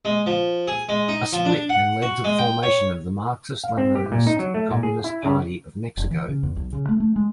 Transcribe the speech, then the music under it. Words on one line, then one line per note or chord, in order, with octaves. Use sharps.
A split then led to the formation of the Marxist-Leninist Communist Party of Mexico.
G#3
F3
G#4
G#3
D#4
F3
D4
F#5
F#4
G#3
G5
C#5
F5
C4
G4
A#2
D#4
F#3
A3
A#2
G#4
E4
C#3
F1
E3
C#3
E2
B1
C#3
A3
A3
G#3